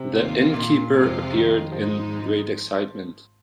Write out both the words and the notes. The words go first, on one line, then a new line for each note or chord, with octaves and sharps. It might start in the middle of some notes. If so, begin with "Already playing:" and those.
The innkeeper appeared in great excitement.
Already playing: C3
D#2 D#3 A#3 F4
A#2
F2 C3 F3 G#3 F4
C3
D#3
G#1 G#2 F3 G#3 D#4